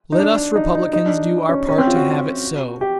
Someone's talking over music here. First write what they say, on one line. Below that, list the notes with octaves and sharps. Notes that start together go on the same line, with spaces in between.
Let us Republicans do our part to have it so.
D#4
D4
D#4
D#4
D#4
D4
C#4
C#4
C4
F4
F#4
G4